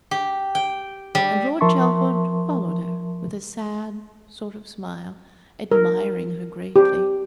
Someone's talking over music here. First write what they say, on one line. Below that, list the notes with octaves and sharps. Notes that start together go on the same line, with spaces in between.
And Lord Chelford followed her, with a sad sort of smile, admiring her greatly.
G4
G5
G3
F3 A#4 E5 A5 C6 C#6
A#4
G4